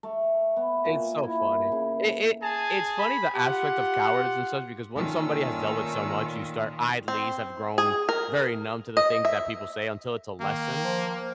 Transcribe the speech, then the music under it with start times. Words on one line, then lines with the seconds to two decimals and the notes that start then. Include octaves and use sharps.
It's so funny. It it it's funny, the aspect of cowardice and such, because once somebody has dealt with so much, you start I at least have grown very numb to the things that people say until it's a lesson.
0.03 A3
0.56 B3
0.85 A#2
1.23 E4
1.72 C#3
2.04 A5
2.43 G#4 G#5 A5
2.99 B5
3.35 F4 G4 F#5
4.97 A#2 D#3 A3 C#4 E6
7.08 C4
7.78 G#4
8.09 A#4
8.97 D#5
9.25 E5
10.41 D#3 A#3
10.84 F3